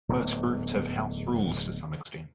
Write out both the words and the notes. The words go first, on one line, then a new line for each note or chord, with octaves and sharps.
Most groups have house rules to some extent.
D1 E2 G#2 B3